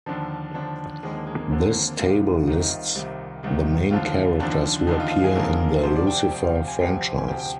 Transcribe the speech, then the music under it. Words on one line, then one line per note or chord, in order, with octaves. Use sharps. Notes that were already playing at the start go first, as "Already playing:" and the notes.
This table lists the main characters who appear in the Lucifer Franchise.
D#2 D3 F3 D4
D#2 D3 F3 D4
D#2 D3 F3 G#3
A#3
G#3
A#3
D#2 D3 F3 C4
A#3
A#3
C2 C3 D#3 F4
C2 C3 D#3 D#4
F4
C2 C3 D#3
C2 C3 D#3
D#2 D3 F3 F4
D#2 D3 F3 D4
D#2 D3 F3 D#4
F4
F4
G#4
D#2 D3 F3 A#4
D2 C3 F3 C5
D5
G5
G5
D2 C3 F3 G5
F5
G5
G#5
D2 C3 F3 G5
G#5
D2 C3 F3 G5
G5